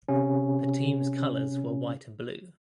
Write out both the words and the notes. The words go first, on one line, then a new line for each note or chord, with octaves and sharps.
The team's colors were white and blue.
C3 C#4